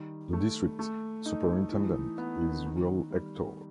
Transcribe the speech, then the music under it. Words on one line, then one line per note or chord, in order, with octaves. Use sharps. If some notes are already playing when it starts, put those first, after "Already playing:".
The district's superintendent is Will Ector.
Already playing: D#3 G3
A3
A3
D#4
E3
B3
D#3
G3